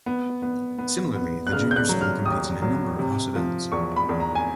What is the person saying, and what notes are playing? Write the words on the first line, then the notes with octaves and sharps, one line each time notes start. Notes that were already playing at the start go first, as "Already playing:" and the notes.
Similarly, The Junior School competes in a number of House events.
B3
B3
B3
B3
F#6
C#3 F6
G6
F#6
F#3
F6
D#2 D#6
F#3
C3
F3
E2 C#6
B5
E2
A#5
G#5